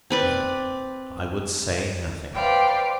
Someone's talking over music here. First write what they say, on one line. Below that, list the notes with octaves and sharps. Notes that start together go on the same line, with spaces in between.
No, I would say nothing.
C4 B4 D5
B4 C5 D5 F5 G5